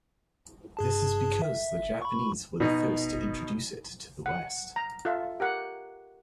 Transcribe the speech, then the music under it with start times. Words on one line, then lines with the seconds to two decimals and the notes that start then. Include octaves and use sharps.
This is because the Japanese were the first to introduce it to the West.
0.77 G2 G#4 A5
1.42 E5
2.02 B5 C#6
2.60 B2 D#4
4.26 F#5
4.76 A#5
5.05 F4 A4 E5
5.40 G4 A#4 F#5